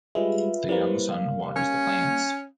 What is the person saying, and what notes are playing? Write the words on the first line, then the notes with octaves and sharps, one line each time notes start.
The young son waters the plants.
G3 G#3 F4 B4 E5
G3 A#3 E4 B4 C5
F5
C#4